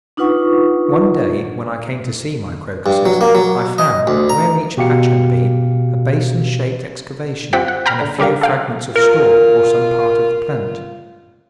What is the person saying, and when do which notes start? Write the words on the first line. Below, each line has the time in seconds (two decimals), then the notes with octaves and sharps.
One day when I came to see my Crocuses, I found where each patch had been a basin-shaped excavation and a few fragments of stalk or some part of the plant.
0.17 D4 D#4 F4 B4 F#5 C#6
2.86 G2
3.06 F#3
3.21 A#3
3.35 F#3
3.78 D#5
4.07 D2
4.29 A#5
4.77 B2 F#4 G4 F5 C#7
7.53 C4 F4 G4 F#5 G5 B6
7.68 F#5
7.86 G5 A#5 B5 F6
8.01 D3
8.18 C#3 G3 G4 A#4 F5
8.41 A4 F5 G5
8.96 F4 A#4